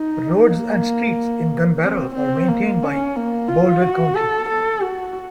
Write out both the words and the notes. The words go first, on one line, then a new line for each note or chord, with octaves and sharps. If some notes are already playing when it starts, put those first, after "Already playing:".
Roads and streets in Gunbarrel are maintained by Boulder County.
Already playing: D#4
A#3
C4
C4
A#3
C#4
A#3
F4
F#4
A4
A4
F#4